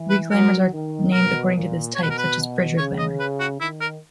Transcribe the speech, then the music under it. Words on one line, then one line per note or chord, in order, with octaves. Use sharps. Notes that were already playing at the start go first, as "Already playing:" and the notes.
Reclaimers are named according to this type, such as "Bridge reclaimer".
Already playing: E3
B4
F#3 A#4
D#3
B2 A#4
A#2
B2 C#5
B4
A#4
B4
C#3 C#5
D#5
B4
F#4
D#3 E4
A#4